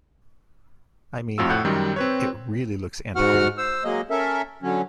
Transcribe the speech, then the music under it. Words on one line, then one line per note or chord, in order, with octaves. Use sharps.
I mean, it really looks antiquated.
F2 A2 F4 F#4 E6
A2 F#5 F#6 G6
F#2 D#3 G3
C4 B4 C#5
G#2 F#4 F#5 F6
C5 E6
F#3 G#3 A#3 D#5
C#4 A4 A#4 E5
D3 F#3 C#4